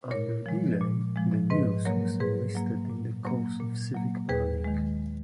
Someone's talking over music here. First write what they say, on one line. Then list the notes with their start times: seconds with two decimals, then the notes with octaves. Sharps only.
Under Dealey, the News was enlisted in the cause of civic planning.
0.11 A#2 A#4 C#5
0.46 F3 G#3
0.81 A#2
1.16 F3 G#3
1.50 G#2 B4 D#5
1.85 F#3 A#3 A#4 C#5
2.20 G#2 G#4 B4
2.55 F#3 A#3
2.90 A#2
3.25 F#3 A#3
3.59 A#2
3.95 F#3 A#3
4.29 D#2 G#4 B4
4.64 D#3 G#3